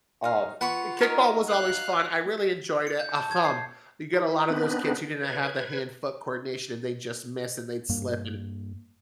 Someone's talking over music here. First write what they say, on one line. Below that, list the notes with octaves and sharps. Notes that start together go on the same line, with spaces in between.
Um, and kickball was always fun, I really enjoyed it, um, you get a lotta those kids who didn't have the hand-foot coordination and they just miss and they'd slip and
D#4 F5
F4 B4 F#5 B5 C#6
D#4 A#4 C#5
F5 F#6
C#7
G6
A5
G#6
C7
E4
B3 C4 D4 D#4 B4
B4 G#6
G2 A#3